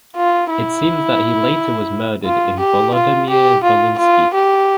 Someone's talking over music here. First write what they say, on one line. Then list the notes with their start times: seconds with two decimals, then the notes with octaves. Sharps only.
It seems that he later was murdered in Volodymyr-Volynski.
0.16 F4
0.50 E4
2.25 F4
2.60 G4
2.94 F4
3.29 G4
3.64 F4
3.98 F4
4.34 G4